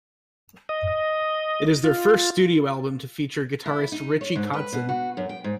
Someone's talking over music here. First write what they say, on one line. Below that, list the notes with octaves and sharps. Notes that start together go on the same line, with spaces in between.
It is their first studio album to feature guitarist Richie Kotzen.
D#5
F4
E4
D#4
C#5
G#2
B4
B2
F#4
F#2
G5
G#2